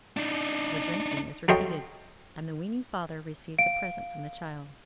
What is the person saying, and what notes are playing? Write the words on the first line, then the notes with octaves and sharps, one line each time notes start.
The drinking is repeated, and the weaning father receives a present from the child.
D4 D#4
F#3 A4 C5 C#5 D#5 G5
F5 D7